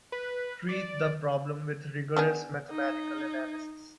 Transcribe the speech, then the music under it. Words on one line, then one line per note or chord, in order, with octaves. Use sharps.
Treat the problem with rigorous mathematical analysis.
B4
D5
B3 D4 G#4
D#4